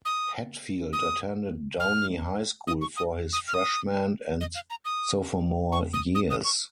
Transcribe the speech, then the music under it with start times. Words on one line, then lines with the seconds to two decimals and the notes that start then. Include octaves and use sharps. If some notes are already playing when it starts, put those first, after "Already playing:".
Hetfield attended Downey High School for his freshman and sophomore years.
0.05 D#6
0.93 D#6
1.80 F6
2.67 D#6
2.81 C#6
2.97 D#6
3.33 D#6
3.48 F6
3.54 D#6
4.41 D#5
4.55 F5
4.70 A#5
4.85 D#6
5.72 C#6
5.93 D#6
6.15 D#6
6.30 D#6
6.44 C#6